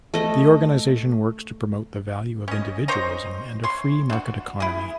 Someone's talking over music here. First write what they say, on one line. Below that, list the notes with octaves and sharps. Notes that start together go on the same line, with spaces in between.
The organization works to promote the value of individualism and a free market economy.
A3 D#5
C#4 D#5
C5 C#5 D#5 A#5
C#5 C6
D4 F#4
E4 G#4